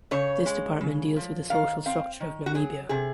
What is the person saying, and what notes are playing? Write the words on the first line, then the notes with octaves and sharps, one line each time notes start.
This department deals with the social structure of Namibia.
C#3 C#5
G#3
C#3
F3
D#3 F5
C4 F5
D#3
F#4
F#3 G#4
C3 G#4